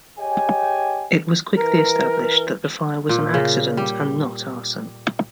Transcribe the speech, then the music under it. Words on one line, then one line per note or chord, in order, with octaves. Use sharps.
It was quickly established that the fire was an accident and not arson.
G4 G#4 C#5 D#5 G5 G#5
E3 A#4
A#2
C#3
G3